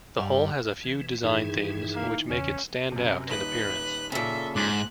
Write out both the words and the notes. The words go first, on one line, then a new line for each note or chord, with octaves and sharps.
The hull has a few design themes which make it stand out in appearance.
G2
E3
G2 D#3 E3 E4 G#4
A#3
E2 C#3 E3 C#4
F#2 C3
D#1 D#4 B4 F#6 A#6
A#2 C#3 A4 E5
G#2 D6 F#6 A6 B6